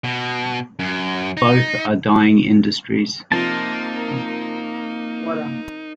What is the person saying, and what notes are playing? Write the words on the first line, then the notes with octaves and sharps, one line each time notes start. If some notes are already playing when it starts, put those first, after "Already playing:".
Both are dying industries.
B2
F#2
D#4
C3 F3 A#3 D#4 A#4 C5 A5